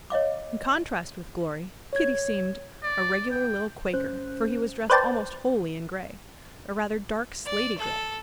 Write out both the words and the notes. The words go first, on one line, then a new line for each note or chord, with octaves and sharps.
In contrast with Glory, Kitty seemed a regular little Quaker, for he was dressed almost wholly in gray, a rather dark, slaty-gray.
C#5 D#5 F5 D6
C#5 G#6
D5
G5
G1 C#4 C5 F#6 G6
B4 C5 D5 G5 A5
D5
A4